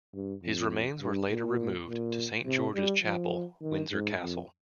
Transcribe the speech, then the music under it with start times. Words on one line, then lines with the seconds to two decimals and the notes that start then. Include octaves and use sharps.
His remains were later removed to Saint George's Chapel, Windsor Castle.
0.14 G2
0.43 F2
1.02 G2
1.30 A#2
1.88 A#2
2.46 C3
2.75 G3
3.03 F3
3.62 D#3
3.91 G#2
4.20 F2